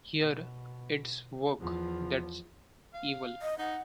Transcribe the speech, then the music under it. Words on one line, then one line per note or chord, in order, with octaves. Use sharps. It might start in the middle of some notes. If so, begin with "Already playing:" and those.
Here, it's "work" that's evil.
B2
E2 F3
F5
D#5
D#4 F#5